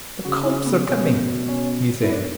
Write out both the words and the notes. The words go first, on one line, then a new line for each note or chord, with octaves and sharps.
'The cobs are coming!' he said.
C#3 F#4
E4
B3
B2 C#4
C#4
E4
D4